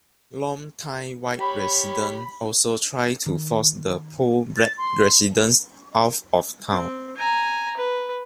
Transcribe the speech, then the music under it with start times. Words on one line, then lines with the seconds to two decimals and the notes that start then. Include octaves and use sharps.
Longtime white residents also tried to force the poor black residents out of town.
1.39 G4 C#5 B5
3.26 D#3
4.57 A6
4.78 C6
6.68 C4
7.17 G#5 A#5
7.77 B4